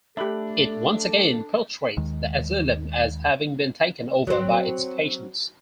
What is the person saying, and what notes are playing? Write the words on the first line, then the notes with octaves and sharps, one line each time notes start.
It once again portrays the asylum as having been taken over by its patients.
A3 D4 G4 A4 E5 B5 F#6
D#2 D#3 G#3
F#3 C4